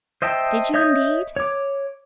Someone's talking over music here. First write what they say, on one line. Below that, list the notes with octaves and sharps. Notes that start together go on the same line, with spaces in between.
"Did you indeed?"
C5 D#5 E5 G5 A5
C#5 D#5 E5 D#6 G6
C#5 D6